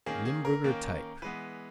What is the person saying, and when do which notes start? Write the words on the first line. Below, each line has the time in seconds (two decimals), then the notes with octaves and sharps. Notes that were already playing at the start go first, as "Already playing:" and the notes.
Limburger type.
0.06 D#3 A#3 C#4 G#4
0.25 G#4
0.45 A#4
0.64 D#3 A#3 C#4
1.22 E3 G#3 B3 B4